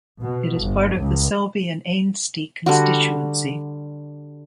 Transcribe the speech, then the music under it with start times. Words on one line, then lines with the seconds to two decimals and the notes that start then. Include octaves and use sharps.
It is part of the Selby and Ainsty constituency.
0.23 B2
0.60 G1
0.98 C#2
2.66 D3 G3 F#4